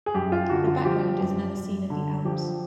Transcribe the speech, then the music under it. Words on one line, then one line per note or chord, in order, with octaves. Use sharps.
The background is another scene of the Alps.
G#4
F#2 G4
F4
D3 F#4
F4
F3 G4
F#2
F#2
D3
F3 G4